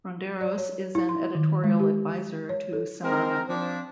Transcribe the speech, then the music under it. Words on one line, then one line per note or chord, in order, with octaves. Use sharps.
Ronderos is an editorial advisor to Semana.
D5
C#5
E4
C6
D#3
G#3
G4
C#5
A4
G#3 C4 A#4
F3 C4 D4